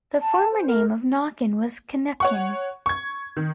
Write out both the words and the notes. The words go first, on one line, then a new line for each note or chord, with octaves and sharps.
The former name of Knockin was Cnukyn.
A5
C5
A#4
C#5 F#5 C#6
C#6 G#6
D#3